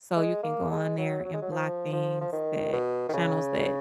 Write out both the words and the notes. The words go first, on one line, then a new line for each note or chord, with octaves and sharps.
so you can go on there and block things that channels that
G#3
A#3
G#3
F#3
F#3
G#3
F#3
F3
F3
F3
D#3
B2
D#3
C#3